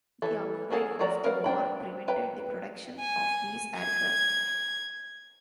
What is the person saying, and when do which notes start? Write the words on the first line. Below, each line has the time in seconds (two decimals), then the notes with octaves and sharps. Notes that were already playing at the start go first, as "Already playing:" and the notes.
The outbreak of the war prevented the production of these aircraft.
0.22 E3 A4
0.70 A#3 D4 G#4 A4 F#5
0.99 F3 A3 F#4 D5 A#5
1.24 A#4 B4 F5 F#5
1.44 D4 C5 G5 B5
2.08 B4 G5 A#5
2.99 G#5
3.78 G#6